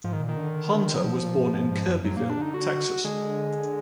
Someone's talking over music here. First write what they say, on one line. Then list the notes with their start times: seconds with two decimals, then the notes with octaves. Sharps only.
Hunter was born in Kirbyville, Texas.
0.04 G#2 F3
0.13 D#3
0.20 A#2
0.29 D#3
0.37 D3
0.54 D3
1.00 F#3
1.04 B2 F3
1.21 A#2
1.37 G#2
1.54 G#2
1.71 G#2
1.88 F#2
2.04 F#2 F#3
2.17 A#2 A#3
2.30 D4
2.37 D3 D#4
2.54 F#4
3.05 D3 G#3